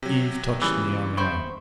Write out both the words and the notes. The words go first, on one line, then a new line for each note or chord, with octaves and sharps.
Eve touched me on the arm.
C3 F#3
A#2 C#3 E3 G3
C5 G5 B5 C#6